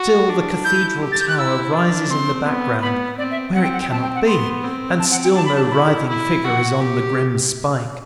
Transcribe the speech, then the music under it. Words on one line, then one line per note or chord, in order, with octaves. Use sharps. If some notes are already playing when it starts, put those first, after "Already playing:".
Still the Cathedral Tower rises in the background, where it cannot be, and still no writhing figure is on the grim spike.
Already playing: F#4
D4
E4 G6
G4
A6
G6
F#6
E4 E6
D4
C4 C6
B3
B3 B5
C4 D5
E5
C4 F#5
G5
F#5
G5
C4 A5
G5
F#5
B3 C6
C4
A5
F#5
G5
D4 A5
B5
A5
E4 B5
E4
F#4 F#5
G4